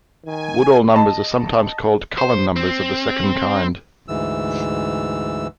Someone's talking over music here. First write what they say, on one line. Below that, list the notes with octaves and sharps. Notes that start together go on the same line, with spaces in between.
Woodall numbers are sometimes called Cullen numbers of the second kind.
D#3 G#5
D#5 A5
C5
C4
D2 G#2 E3 E6